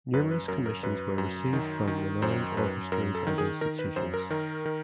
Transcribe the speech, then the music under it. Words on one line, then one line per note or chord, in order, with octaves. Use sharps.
Numerous commissions were received from renowned orchestras and institutions.
F#2 B4
B4
F#2 A#4
A#4
F#2 B4
F#2
D#3
D#3
F#2 C5
F#2 B4
F#2 A#4
A4
D#3
G#4
D#3 A#4
B4
F#2 C5
A#4
D#3 A#4
D#3